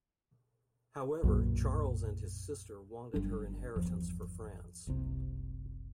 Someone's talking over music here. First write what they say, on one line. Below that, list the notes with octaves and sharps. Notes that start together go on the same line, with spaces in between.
However, Charles and his sister wanted her inheritance for France.
B1 F#2 A#2
G1 G2 F#3 D4
G1 E2 F3
F#1 C2 C3